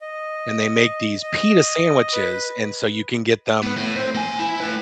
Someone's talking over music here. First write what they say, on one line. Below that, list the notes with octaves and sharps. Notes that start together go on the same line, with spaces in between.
and they make these pita sandwiches and so you can get them
D#5
D#5
B4
B3 B4
A2
C4 C5
A#3 G#5
E4
A3 B4